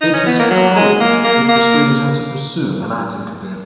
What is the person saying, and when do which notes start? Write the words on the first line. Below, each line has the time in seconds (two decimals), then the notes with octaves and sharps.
It was Colledge who persuaded her to pursue an acting career.
0.02 D#4
0.14 C#4
0.26 B3
0.39 A#3
0.51 F#3
0.76 G#3
1.00 A#3
1.24 A#3
1.49 A#3